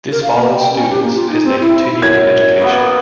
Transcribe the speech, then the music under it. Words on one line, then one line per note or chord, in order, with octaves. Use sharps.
This follows students as they continue in education.
A#4
F5
A#3
G5
C#4
G4
A#3
F4
D#4
C4
E4
E4
F#2 G#6
A2 A#3 B3